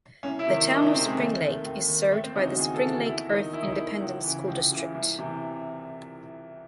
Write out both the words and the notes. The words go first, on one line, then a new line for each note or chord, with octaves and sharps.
The Town of Springlake is served by the Springlake-Earth Independent School District.
C2 C#4
E4
C3 D#3
C2 D#4
C#4
C3 D#3 C4
G#3
D#2 A3
D#3
D#2
D#3
D#2 A3
C4
C#3 E3 D#4
F#4
D#2 G#4
A4
C#3 E3
F#4
E2 E4
D#3 D#4
E2 E4
D#4
D#3 E4
C#2
C#3 E3
C#2
C#3 E3
C2
C3 E3